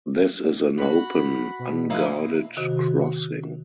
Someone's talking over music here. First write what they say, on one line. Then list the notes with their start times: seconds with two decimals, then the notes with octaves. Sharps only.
This is an open, unguarded crossing.
0.78 F#4 B5
1.59 B2
1.90 F3 A#3 D#4 E4
2.57 C3 D#3 F#4